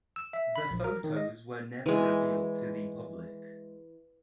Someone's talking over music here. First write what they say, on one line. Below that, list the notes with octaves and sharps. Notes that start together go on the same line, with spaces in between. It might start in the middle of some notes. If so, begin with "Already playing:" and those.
The photos were never revealed to the public.
E6
E5
B5
A#1
A#4
D#3
D#5
E3 G#3